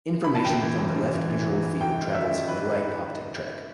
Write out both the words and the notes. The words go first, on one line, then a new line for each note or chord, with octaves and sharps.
Information from the left "visual field" travels in the right optic tract.
B5
A5
F#2 G5
E3
F#2
E3
F#2
E3
F#2
E3
F#2 G5
D#3
F#2 E5
D#3
B4